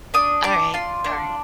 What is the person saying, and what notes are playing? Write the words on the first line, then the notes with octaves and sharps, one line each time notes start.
Alright. Alright.
D4 D#6
D4 D6
F4 C6
D4